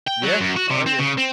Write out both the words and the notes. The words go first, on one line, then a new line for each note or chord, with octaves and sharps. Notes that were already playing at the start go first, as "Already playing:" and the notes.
Yeah. Oh, yeah.
G5
F#3
F#2
F#4
C3
C4
C#3
C4